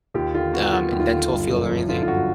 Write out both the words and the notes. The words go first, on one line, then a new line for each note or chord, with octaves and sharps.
d um, in dental field or anything?
D#2 F4 G4
D3 F4
B3 F#4
F#3 F4
D#2
F4
D3
G1
F#2
F3
D3 F4
F4
G1 F#4